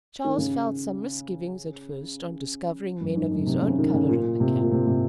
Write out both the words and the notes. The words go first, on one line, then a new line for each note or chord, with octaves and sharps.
Charles felt some misgivings at first on discovering men of his own color in the camp.
D#3
C#3
F#2
G#2
F#2
C3
C#3
D#3
C#3
A#2
C3
A#2
C3
C3